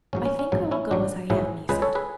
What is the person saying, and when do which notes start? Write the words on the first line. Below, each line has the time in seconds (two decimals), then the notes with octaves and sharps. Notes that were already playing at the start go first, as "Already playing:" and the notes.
"I think I will go as I am," he said.
0.13 A1 G#2 F#3 C#4
0.25 C#4
0.39 C#4
0.52 A1 G#2 F#3
0.71 C#4 E4
0.91 A1 G#2 F#3 D4 F#4
1.30 A1 G#2 F#3 E4 G#4
1.69 C#2 C#3 G#3 G#4 B4
1.82 A4 C#5
1.95 G#4 B4